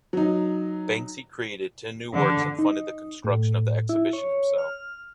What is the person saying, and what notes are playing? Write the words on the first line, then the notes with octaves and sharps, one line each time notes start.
Banksy created ten new works and funded the construction of the exhibition himself.
F#3 D#4
D3
D#4
A2
E4
C#5
F6